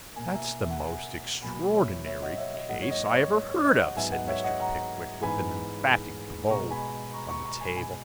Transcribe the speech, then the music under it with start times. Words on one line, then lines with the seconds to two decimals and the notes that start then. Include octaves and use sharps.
'That's the most extraordinary case I ever heard of,' said Mr. Pickwick, with an emphatic blow on the table.
0.16 B2 A#3 G#5
0.25 A#5
0.35 E5 G#5
0.61 E5
0.70 F#5
0.79 E5 G#5
1.42 B2 F#3 A#3 G#5 B5
1.74 C#5 E5
2.06 C#5 E5
2.22 D#5 F#5
2.38 C#5 E5
2.54 D#5
2.69 G#2 F#3 A#3 D#5 F#5
2.82 C#5
2.91 D#5
3.11 C#5
3.33 C#5
3.49 C#5
3.65 D#5
3.80 D#5 F#5
3.96 G#2 F#3 B3 E5 G#5
4.12 D#5 F#5
4.28 C#5 E5
4.44 D#5 F#5
4.60 F#5 A#5
5.22 G#2 E3 B3 G#5 B5
6.50 B2 G#3 B3 A#5 C#6
6.70 G#5 B5
7.13 A#5 C#6
7.29 A#5 C#6
7.45 A#5 C#6
7.60 G#5 B5
7.76 B2 G#3 B3 G#5 B5